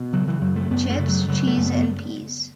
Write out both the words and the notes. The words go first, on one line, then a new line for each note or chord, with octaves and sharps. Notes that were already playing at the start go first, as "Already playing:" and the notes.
Chips, cheese and peas.
Already playing: B2
C#3 F#3
E3
F#2 F#3
A3
F#2 B3
A3
C#3
F#3
C#3 F#3
A3
F#2
B3